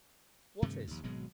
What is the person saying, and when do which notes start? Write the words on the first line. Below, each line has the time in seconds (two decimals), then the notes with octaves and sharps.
"What is?"
0.62 G2 C3 D#3 A3
0.88 A#1 D#2
1.04 G#1 B2 F#3 G#3